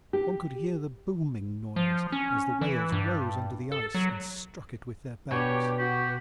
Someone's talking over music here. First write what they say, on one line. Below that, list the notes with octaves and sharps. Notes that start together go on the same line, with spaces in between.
One could hear the 'booming' noise as the whales rose under the ice and struck it with their backs.
G4
F3
C#4
E3
G2
A4
F#3
B2 D4 G4 C#5
F#4 G4